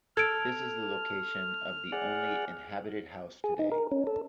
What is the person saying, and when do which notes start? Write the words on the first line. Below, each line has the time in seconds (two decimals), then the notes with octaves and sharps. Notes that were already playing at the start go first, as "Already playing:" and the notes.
This is the location of the only inhabited house today.
0.17 A4 F6 G#6 D7
1.92 G#4 D5 F#5
3.44 G#4
3.59 D#4
3.72 A#4
3.91 C#4
4.07 A4